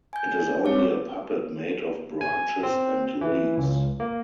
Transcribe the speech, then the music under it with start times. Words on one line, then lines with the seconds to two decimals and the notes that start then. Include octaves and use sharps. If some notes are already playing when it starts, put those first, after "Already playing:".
It is only a puppet made of branches and leaves.
0.13 G#5 G6
0.65 C4 C#5 D6
2.21 G#5
2.63 C4
3.21 E3
3.57 C#2
4.00 A#3